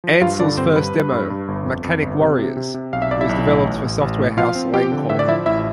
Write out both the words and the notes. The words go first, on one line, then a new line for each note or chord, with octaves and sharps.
Ancel's first demo, "Mechanic Warriors", was developed for software house Lankhor.
F3
G2 F4 F5
D3 D4 D5
G2 C4 C5
G2 B4
G2
G2
G2
G1
F2
F2
G1
C3
C3
C3
C3
B1 F5
E5
B1 D5
E4 E5
B1
A2
A1
A1
A1
A2
F3 F4 F5
C4
F3 G4 G5
D3
A2 E5
D5
F3 E4 E5
A1 E4 E5